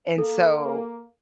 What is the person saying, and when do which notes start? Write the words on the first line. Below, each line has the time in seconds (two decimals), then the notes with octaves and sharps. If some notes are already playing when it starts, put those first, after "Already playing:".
And so
0.18 A#3 A4